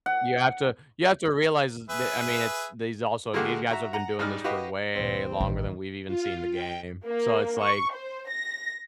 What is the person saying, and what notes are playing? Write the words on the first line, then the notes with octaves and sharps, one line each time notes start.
You have to you have to realize tha I mean, it's these also these guys have been doing this for way longer than we've even seen the game. So it's like,
F#5
G#4 B4 E5
A#2 D3 G#3 A#3 F#4 G4
F#4 E5 A#5
F#5 A#5
G#2 G3 D#4 F6
F#4 G4 B4 D#5 F5
D2 A#2 E3 C4
A1 D#3
F4
G5
A#3
C#6
C5
A#6